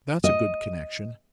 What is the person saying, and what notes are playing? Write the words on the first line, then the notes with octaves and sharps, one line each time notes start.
'That's a good connexion!
D#5